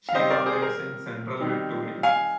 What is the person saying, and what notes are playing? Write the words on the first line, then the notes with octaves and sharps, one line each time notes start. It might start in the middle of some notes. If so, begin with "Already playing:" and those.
She now lives in Central Victoria.
F5
D#3 G3 C4 C5 D#5
A#4 D5
G#4 C5
A#4
D#3 G3 C4 D#4
F5 G#5